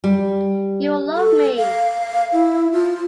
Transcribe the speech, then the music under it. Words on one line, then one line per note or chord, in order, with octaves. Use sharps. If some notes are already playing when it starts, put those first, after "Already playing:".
You love me.
G3
A4
F5
E4
F4